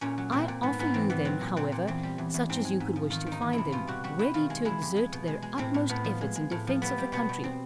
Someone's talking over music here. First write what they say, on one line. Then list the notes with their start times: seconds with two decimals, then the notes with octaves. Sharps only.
I offer you them, however, such as you could wish to find them, ready to exert their utmost efforts in defence of the country.
0.01 A#2 C#4
0.18 F#3
0.32 A#2 C4
0.48 A#2
0.63 G#2 B3
0.79 G#2 B3
0.94 E3 C4
1.10 E3 B3
1.25 F#3 C4
1.41 A#2
1.56 A#2 C4
1.72 A#2
1.87 E2 C4
2.03 G3
2.18 E2
2.34 E2
2.49 G#2 C4
2.64 G#3
2.80 G#2
2.96 F3
3.10 D#3 F4
3.26 D#3
3.32 D#4
3.42 E2
3.53 E4
3.58 C3
3.72 B2 F4
3.87 G3 F#4
4.04 G3 F#4
4.19 G3 E4
4.34 D#3 F4
4.50 G#3
4.65 G#3 E4
4.82 F2
4.96 G#3
5.12 B2
5.28 G#3
5.42 G#3
5.58 A2 C4
5.74 A2
5.89 A2 B3
6.04 F3
6.21 G#3
6.36 G#3
6.51 A2
6.67 F3
6.82 G3 B3
6.98 G3
7.13 B2 B3
7.29 B2
7.44 C4